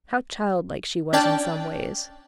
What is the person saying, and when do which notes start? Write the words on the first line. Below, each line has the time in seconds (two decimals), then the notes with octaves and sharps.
How childlike she was in some ways!
1.13 C#4 D4 D5 G5 A5